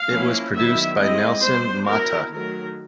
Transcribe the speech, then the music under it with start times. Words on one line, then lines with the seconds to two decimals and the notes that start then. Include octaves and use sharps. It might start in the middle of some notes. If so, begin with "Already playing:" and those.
It was produced by Nelson Motta.
Already playing: F5
0.11 F3 A#3 C#4 E4
0.55 D#3 F#3 B3 E4 E5
0.98 G#3 C4 E4 D#5
1.42 G3 B3 D4 C5
1.85 F#3 B3 E4 A#4
2.30 D#3 F#3 A3 A#4